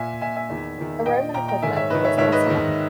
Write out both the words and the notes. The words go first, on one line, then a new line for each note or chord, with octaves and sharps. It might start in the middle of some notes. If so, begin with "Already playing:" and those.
Her Roman equivalent was Decima.
Already playing: A#2 E5 G#5
A#2 E5 G#5
E5 G#5
E2 D#3
E2 D#3
A#2 D#5 G5
A#2 G5 A#5
G5 A#5
G#2 D#3 E5 G#5
C#5 E5
G#2 D#3 B4 D#5
C#5 E5
G#2 D#3 C#5 E5
B4 D#5
G#2 D#3